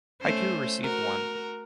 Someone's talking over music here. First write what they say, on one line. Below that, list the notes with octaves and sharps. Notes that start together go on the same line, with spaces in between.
Haiku received one.
A3 C#4 C5
F#4 A#4